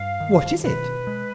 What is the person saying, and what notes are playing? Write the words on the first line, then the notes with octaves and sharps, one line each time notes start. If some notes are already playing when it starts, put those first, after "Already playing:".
"What is it?"
Already playing: G2 F5
D#3
B2 B4
G#3